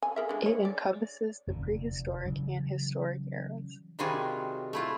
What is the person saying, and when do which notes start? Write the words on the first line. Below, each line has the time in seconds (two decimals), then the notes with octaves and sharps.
It encompasses the pre-historic and historic eras.
0.03 G#5
0.16 G#4 A#4 E5
0.29 D3 G#3
0.46 C#5
0.65 D5
1.47 F1 E2 G#2 D3
2.26 C#3 E3 F#3 G3
3.99 C3 D#3 G3 F4 F#4 G#4
4.73 A3 E4 F4